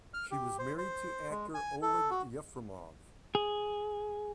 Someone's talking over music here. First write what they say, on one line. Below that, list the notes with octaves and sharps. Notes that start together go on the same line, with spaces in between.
She was married to actor Oleg Yefremov.
F6
G4
C5
C5
G#3
G#5
A4
F#4
G#4